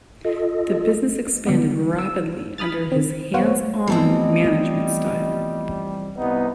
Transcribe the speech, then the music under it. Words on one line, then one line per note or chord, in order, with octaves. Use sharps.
The business expanded rapidly under his hands-on management style.
F4 A4 D#5
D3 G3 G#3 B3
E6
B5 D#6 F6 A6
D#3 C4
F#2 B3 C5 C#5 F5 F#5
E3 F3 G3 A3 B3 C4 D#5 A5
C2 B3 D#4